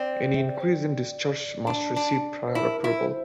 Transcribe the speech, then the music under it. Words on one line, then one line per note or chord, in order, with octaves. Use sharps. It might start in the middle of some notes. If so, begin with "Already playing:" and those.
Any increase in discharge must receive prior approval.
Already playing: C4 D5
E5
D5
C5
D5
D4
D4
C5
E4 A#4
E4
C5